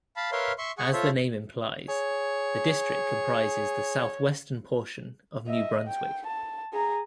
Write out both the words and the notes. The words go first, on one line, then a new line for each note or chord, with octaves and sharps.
As the name implies, the district comprises the southwestern portion of New Brunswick.
F5 A5 B5
A#4 B4 C#5 E5 F5 C6
E5 C6 C#6
G#4 F#5 G#5 C#6
F4 A4 C5 C#5 E5
G#4 C#5
D#5 E5
G5
A5
G#4 A#5